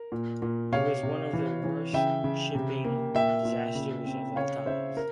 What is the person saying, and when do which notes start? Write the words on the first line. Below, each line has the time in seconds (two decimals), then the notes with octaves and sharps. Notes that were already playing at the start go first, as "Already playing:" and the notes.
It was one of the worst shipping disasters of all times.
Already playing: A#4
0.12 A#2
0.42 A#2
0.72 C3 C#5 F5
1.03 C3
1.33 E3
1.64 E3
1.93 C#3 E5 G5
2.24 C#3
2.55 C3
2.85 A#3
3.15 A#2 E5 G5
3.45 A#2
3.75 C#3
4.06 C4
4.36 C#3 C#5 F5
4.66 C#3 C5 E5
4.97 A#4